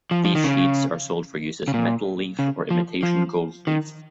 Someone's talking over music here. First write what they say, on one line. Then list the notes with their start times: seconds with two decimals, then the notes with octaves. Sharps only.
These sheets are sold for use as metal leaf or imitation gold leaf.
0.11 F3
0.25 F3
0.35 D#3
0.44 C#3
1.68 C#3
1.74 A#2
2.39 C#3
2.71 F3
3.03 F3
3.67 D#3